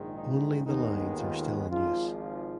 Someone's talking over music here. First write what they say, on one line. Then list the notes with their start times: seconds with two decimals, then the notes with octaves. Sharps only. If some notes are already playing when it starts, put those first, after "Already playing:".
Only the lines are still in use.
Already playing: A#1 G#2 D#3 G#3
0.14 D#4
0.66 D#2 D#3 G#3 B3 D#4
1.18 F4
1.70 G#1 G#2 F3 F4
2.22 F4